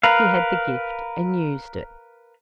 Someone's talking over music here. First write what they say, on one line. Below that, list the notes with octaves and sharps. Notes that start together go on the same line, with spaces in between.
He had the gift and used it.
A#4 B4 F5